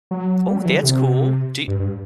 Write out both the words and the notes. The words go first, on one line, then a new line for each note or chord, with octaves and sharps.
Oh, that's cool. Do y
F#3
G3
F#3
E3
D3
C3
G2
G2